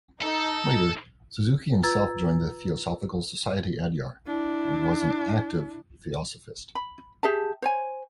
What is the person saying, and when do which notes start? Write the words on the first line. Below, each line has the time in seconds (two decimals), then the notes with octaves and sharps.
Later Suzuki himself joined the Theosophical Society Adyar and was an active Theosophist.
0.22 D#4 A4
1.83 F4 B4 A#5 E6 G#6 A6
4.27 D4 E4
6.75 B5
7.23 G4 G#4 E5 A5
7.62 C5 C#5 G#5